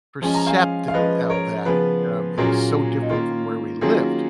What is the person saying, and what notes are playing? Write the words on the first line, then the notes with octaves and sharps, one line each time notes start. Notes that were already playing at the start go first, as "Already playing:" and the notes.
perceptive of that, um, it was so different from where we lived,
F3 G#3 C#4 G#5
A#5
F5 G#5
F5
F3 G#3 C#4 B4 D#5
A#4 C#5
C#3 F3 B3 G#4 B4
A#2 F#3 A#3 C#4 F4 G#4
D#4
D#3 A#3 C#4 F4
D#3 F#3 A#3 C#4 F4 G#4